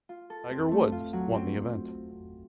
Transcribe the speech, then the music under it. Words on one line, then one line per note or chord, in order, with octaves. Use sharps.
Tiger Woods won the event.
F4
A4
C4
A3
F4
F#3
C4